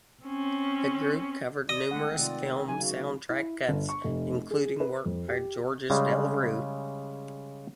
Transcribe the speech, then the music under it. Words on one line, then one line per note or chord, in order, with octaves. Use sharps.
The group covered numerous film soundtrack cuts, including work by Georges Delerue.
C4 C#4
D5 D#5
D#3 G#3 A3 C4 F#5
C3 D#3 F4 D5
C#3 F#3 A#3 D#4 G#5
F#4
E4
G1
C#6
F1
G#4
B4
F2
G4
C#3 G3 G#3